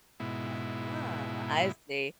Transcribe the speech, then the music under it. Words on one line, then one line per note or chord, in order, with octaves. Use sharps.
Uh-huh, I see.
G#2 B2 E4